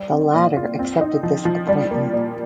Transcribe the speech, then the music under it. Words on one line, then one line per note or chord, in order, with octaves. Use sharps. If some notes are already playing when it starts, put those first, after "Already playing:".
The latter accepted this appointment.
Already playing: G3
C4
A#2
F4
C4
D#4
F3
F3
G3
A#3
A#2